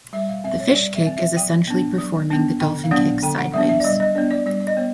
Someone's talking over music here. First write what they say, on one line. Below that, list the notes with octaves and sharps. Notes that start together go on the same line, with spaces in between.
The fish kick is essentially performing the dolphin kick sideways.
G3 E5
F5
C4 E5
C#5
G3 D5
E5
C4
E5
F#3 G5
B3 D4
F#3
B3 D4
D3 G5
F5
F#3 B3 D4 F#5
D3 G5
F#5
F#3 B3 D4 E5
E5
D5
G3 D#5
D#5
B3 D4 D5
D5
G3 D5
D5
D#5
B3 C#5